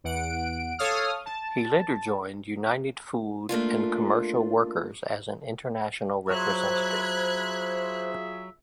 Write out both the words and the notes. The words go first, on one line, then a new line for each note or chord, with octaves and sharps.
He later joined the United Food and Commercial Workers as an international representative.
E2 F#5 D7
A4 C#5 F5 D#6 F6
A5
A3 A#3 D4 F4
F#3 F4 G#4 C5 E5 B5 F#6 G#6